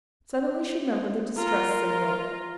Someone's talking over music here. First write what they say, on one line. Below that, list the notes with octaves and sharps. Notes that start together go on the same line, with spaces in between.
Suddenly she remembered the distress signal.
F4 A#4